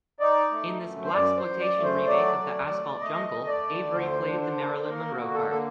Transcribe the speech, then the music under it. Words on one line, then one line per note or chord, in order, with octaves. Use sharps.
In this blaxploitation remake of "The Asphalt Jungle", Avery played the Marilyn Monroe part.
D#4 D5
A3
F#2
C5
F#2 D5
C5
F#2
D5
A3
C5
F#3 D5
A3
A3
A3 D#5
A3
D5
D2
D3 C5
D4
C5
A#3
A#3 A#4
F#4
D3
A4
A#3 A4